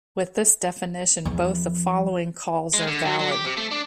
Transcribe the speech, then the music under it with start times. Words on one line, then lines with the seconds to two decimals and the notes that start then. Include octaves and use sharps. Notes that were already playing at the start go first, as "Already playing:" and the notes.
With this definition, both the following calls are valid.
1.25 E2 F3
2.74 G#3
2.87 D3
3.06 F#3
3.20 F#3
3.31 G4
3.45 C3
3.57 A3
3.71 D4